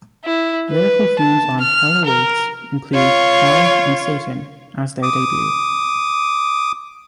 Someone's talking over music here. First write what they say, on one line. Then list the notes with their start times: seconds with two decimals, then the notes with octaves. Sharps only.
Lyrical themes on "Hell Awaits" include hell and Satan, as their debut.
0.25 E4
0.70 B4
1.19 A5
1.61 F6
2.05 A#4
2.94 F4 C#5
5.03 D6 D#6